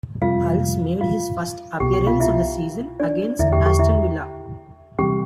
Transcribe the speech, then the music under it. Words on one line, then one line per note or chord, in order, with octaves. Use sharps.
Hulse made his first appearance of the season, against Aston Villa.
F2 C3 G3 F4 F5
F4 F5
C2 B2 B3 G4 G5
G4 G5
F4 F5
E4 E5
D4 D5
E2 D3 A3 E4 E5
G4 G5
G4 G5
E4 E5
C3 E3 G3 C4 G4 G5